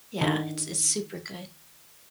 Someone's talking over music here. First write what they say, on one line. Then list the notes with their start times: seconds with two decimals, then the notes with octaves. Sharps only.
Yeah, it's it's super good.
0.21 D3 D#3